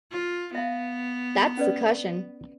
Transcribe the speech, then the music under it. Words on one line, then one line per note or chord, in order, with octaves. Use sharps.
That's the cushion.
F4
B3 E5 F5
C#4 B4 D5